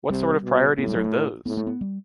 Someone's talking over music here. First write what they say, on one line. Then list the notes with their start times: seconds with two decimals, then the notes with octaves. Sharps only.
What sort of priorities are those?
0.09 C3 G3
0.43 B2
0.78 A2 B3
0.87 G3
0.96 F#3
1.04 A3
1.46 A2 B3
1.57 A3
1.67 B3
1.81 G3